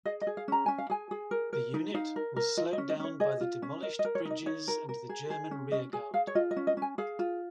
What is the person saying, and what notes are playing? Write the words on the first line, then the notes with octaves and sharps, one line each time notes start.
The unit was slowed down by the demolished bridges and the German rear guard.
G#4 D#5
D#5
G#4
F5
C#4 A#5
C#4 G#5
F5
G#4 G#5
G#4
A#4
A#4
D#4
D#4 F5
A#4
A#4
F4 D#5
D#5
C#4
D#5
C#4 C#5
G#4 D#5
F4
C#4
A#4 D#5
D#5
A#4
C#5
D#4
D#5
D#4 C#5
A#4
A#4
G#4
G#4
C#4
C#4 D#5
G#4 G#5
G#4 F5
C#5
F4 D#5
D#5
C#4
D#5
C#4
G#5
G#4 F5
F4